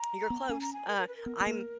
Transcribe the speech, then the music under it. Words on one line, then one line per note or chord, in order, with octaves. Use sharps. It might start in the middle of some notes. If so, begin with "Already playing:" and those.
You're close. Uh, I'm
Already playing: A#5
B3
C#4 G#5
A#5
G#5
A#4
A#4
B4
A#4
B3
B3
A#3